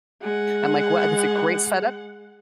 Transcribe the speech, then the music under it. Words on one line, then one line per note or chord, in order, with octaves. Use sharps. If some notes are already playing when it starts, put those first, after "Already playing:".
I'm like, "What this is a great setup."
G#3 F#5